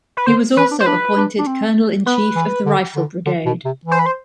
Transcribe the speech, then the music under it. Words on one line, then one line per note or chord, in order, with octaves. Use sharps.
He was also appointed Colonel-in-Chief of the Rifle Brigade.
B4
D3 C5
E3 B4
D4
C5
D4 B4
D4
D4
C4
B3 B4
E3
D3
D3
D3
B2
C3
E3
C5
B4
C5